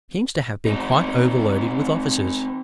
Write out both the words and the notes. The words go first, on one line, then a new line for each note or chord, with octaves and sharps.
He seems to have been quite overloaded with offices.
C4 D#4